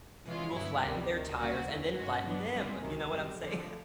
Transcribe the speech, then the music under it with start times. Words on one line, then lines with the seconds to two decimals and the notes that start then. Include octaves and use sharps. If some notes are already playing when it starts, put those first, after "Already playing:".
You will flatten their tires and then flatten them, you know what I'm saying?
0.25 C3 E3 G#3 C#4 F4
0.53 G2 D3 F#3 B3 E4
0.82 D2 C3 D#3 G3 B3
1.10 D2 C3 D#3
1.39 G3 A#3 C#4 F#4
1.66 E2 C#3 E3 A3
1.96 G2 D#3 G#3 C#4 F#4
2.24 F#3 B3 D4
2.53 G3 C4 E4 G#4
2.81 C#2 C3 D#3 F#3
3.09 F#2 D#3 G3 C4
3.37 F2 D3 F3 A3